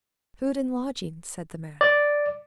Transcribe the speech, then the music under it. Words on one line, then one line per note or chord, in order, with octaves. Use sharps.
"Food and lodging," said the man.
D5